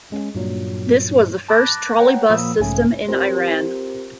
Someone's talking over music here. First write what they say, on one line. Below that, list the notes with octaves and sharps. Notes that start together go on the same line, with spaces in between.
This was the first trolleybus system in Iran.
G#3 C#4
G2 A#2 F#3
A5 B5 D6 F#6 A6 A#6
B4 C#5 F#5 G5 A#5
A#2 F3 A#3 B5 D#6 E6
B1 G#2 C#3 A3 C#4 G#5
C4 F4 G4 A#4 C5